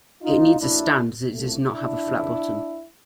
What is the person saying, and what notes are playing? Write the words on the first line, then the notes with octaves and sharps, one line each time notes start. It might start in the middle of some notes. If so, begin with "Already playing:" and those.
It needs a stand as it does not have a flat bottom.
D#4 F4
D2 D3 F#3 A#3 D4 E4
C2 C3 F3 A3
D4 E4
F2 C#3 E3